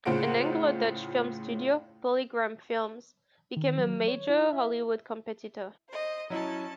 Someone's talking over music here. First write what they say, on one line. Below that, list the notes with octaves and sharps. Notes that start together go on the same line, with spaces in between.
An Anglo-Dutch film studio, PolyGram Films became a major Hollywood competitor.
A2 C#3 F4 C5 F#5 D7
D#3
F#3
C#5
E4
E5
C5 D#5
F#3 C#4 E4 D#5 A5